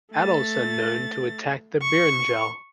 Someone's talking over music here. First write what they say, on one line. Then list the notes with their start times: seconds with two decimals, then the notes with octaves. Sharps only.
Adults are known to attack brinjal.
0.12 A3 A6
1.82 C#6